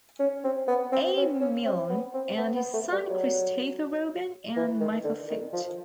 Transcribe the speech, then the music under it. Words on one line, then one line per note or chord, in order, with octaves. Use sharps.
A. Milne and his son Christopher Robin, and Michael Foot.
C#4
C4
B3
C4
C#4
C#4
C4
B3
C4
B3
B3
A3
G3
F#3
E3
D#3
D3
D#3
F3